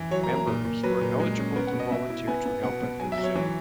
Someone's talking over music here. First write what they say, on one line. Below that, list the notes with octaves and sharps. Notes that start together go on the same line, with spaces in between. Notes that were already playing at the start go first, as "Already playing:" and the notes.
Members were eligible to volunteer to help at the Zoo.
Already playing: E3
F#3 C#5
A#5
A#3
A#5
A#2
A#2
F#3 B4
A#2
G#3
C#4
B3 A#4
F#5
B2
D#5
B2 E5
E4
B3 G#5
B3
B2 F#5
B2
F#3 G#5
E5
F#3
C#5
E3 C#5